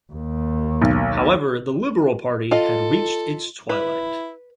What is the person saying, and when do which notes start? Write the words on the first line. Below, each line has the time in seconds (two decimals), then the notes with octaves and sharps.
However, the Liberal Party had reached its twilight.
0.13 D#2
0.82 B1
2.51 F4 A4 D#5
3.69 E4 B4